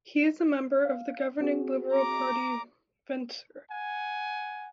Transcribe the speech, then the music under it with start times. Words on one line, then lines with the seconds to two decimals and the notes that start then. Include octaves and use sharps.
He is a member of the governing liberal party Venstre.
0.85 F5
1.40 C4 F#4 G#4
1.92 A#5 D6
3.69 F#5 G#5